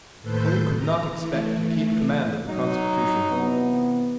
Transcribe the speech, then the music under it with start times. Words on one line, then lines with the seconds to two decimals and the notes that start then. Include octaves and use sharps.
Hull could not expect to keep command of the Constitution.
0.21 D#2 A2 A4 B4 C5 G6
0.76 A#5
1.14 E3 A3
2.47 F#3 D#4
3.29 C3 E3 B3